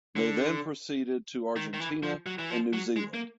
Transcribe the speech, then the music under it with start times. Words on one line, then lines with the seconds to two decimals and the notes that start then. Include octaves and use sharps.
They then proceeded to Argentina and New Zealand.
0.16 D3
1.56 D#3
1.74 D#3
1.80 E3
2.03 F3
2.26 F#3
2.39 E3
2.50 F3
2.73 F#3
2.96 G#3
3.14 A#3